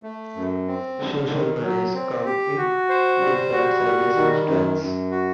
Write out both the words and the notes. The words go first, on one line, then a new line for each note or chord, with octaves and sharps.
Social manias come in different sizes and strengths.
A3
F#2
C4
D3
D#3
F#3
C4
G4
F#4
C5
G3
F#4
G3
D#3
F#2
F#2
F#4